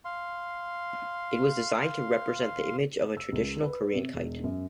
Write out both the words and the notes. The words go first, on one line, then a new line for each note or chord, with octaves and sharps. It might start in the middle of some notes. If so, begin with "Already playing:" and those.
It was designed to represent the image of a traditional Korean kite.
F5 C6
E6
C#2
B4
C3
E1
F#2